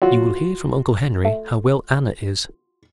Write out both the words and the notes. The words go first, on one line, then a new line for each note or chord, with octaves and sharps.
'You will hear from uncle Henry how well Anna is.
F#3 F4 F#4
A3